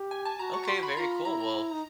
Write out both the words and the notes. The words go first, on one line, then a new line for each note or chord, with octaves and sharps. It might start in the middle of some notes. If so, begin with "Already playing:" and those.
Okay, very cool. Well,
Already playing: G4
G#5
A5
F#4 A#5
C#6
C6
B5
F4 A#5
E4 A#5
A#5
D#4